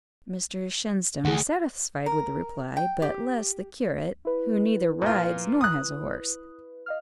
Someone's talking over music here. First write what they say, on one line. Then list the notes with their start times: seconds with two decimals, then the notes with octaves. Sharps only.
Mr Shenstone is satisfied with the reply; but less the curate, who neither rides nor has a horse.
1.25 D2 G#4 F#5
2.06 A#4
2.77 G5
3.02 G4
4.25 E4 B4
5.02 A#2 F4
5.61 D#6 F#6
6.86 D#5 F5 F6